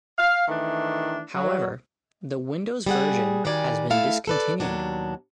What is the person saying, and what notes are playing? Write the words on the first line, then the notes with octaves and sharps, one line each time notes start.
However the Windows version has been discontinued.
F5
D#3 E3 A3 D4 E4
F#3
G3 G#4 F#5
D#3 G3 F#4 D5 G#5
A3 E4 A4 F5
A4 B4 D5
D#2 B2 F#3 D4